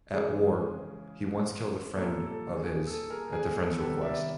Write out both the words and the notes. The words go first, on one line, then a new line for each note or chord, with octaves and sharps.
At war, he once killed a friend of his at the friend's request.
C#3 E3 G#3 G#4
A#2 G3 A#3 A4
A4
G#4
A4
G#4 A#4
G#4
A4
C3 D#3 G3 B3 A4 B4
D5 E5